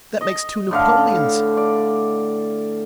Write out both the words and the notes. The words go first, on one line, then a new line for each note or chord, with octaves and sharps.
That makes two napoleons!
D#5
A2 D3 F5
D5